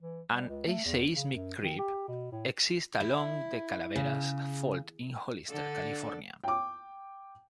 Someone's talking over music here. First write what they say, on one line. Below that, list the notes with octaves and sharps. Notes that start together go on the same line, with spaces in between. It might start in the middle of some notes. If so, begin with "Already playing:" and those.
An aseismic creep exists along the Calaveras fault in Hollister, California.
E3
G3
C#2
A3
E2
C#3
F#2
D#3
G4
B2
A2
E4
C#3
D3 D4 A4
G5 D6